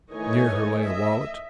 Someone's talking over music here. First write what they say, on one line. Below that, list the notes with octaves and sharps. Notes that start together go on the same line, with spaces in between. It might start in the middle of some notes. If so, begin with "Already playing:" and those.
Near her lay a wallet.
D#3 E3 A3 C#5 D#5 G#5
D#5 E5